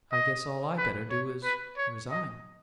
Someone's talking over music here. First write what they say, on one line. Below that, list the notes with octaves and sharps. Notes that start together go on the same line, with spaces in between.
"I guess all I better do is--resign!"
D#5
B4
C#5
B4
C#5
D#5